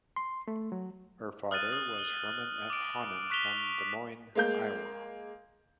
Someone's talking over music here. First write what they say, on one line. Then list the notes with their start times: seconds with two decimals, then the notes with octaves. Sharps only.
Her father was Herman F. Hahnen from Des Moines, Iowa.
0.16 C6
0.48 A3
0.72 F#3
1.51 D#6 F6 F#6 A6 D#7
1.72 D#6 A6
1.99 G7
2.70 D6 D7
3.30 C#6 F#6 B6 E7 F7 G7
4.35 G#3 A#3 G6